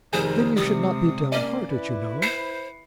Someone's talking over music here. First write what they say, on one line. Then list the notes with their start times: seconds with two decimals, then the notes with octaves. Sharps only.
'Then you should not be downhearted, you know.'
0.13 F1 D#3 G#4 C5
0.56 C3 G3 G#3 D#6
1.32 A#3 C#4 D5
1.72 E4 B4
2.22 C5 C7 C#7